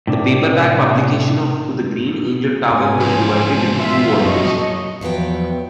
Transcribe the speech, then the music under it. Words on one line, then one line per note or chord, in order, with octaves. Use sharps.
The paperback publication of "To Green Angel Tower" was divided into two volumes.
A2 C3 D4
G#2 C#4 G#5
E2 F3
F4 E5
F#2 A#2 F#3 D#5 C#6
E2 F3 F#3 B3 G5